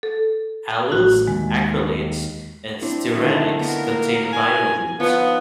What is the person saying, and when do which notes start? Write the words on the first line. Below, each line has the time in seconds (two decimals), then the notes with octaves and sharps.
Allyls, acrylates and styrenics contain vinyl groups.
0.03 A4
0.92 A1 F#4
1.27 D#2 G#3
2.82 C4 D4 E4
3.15 D3 D#3 A3 F#5
3.60 A#3 B3 A#4
4.33 G#5
5.00 F3 B3 D#4 C#5 F5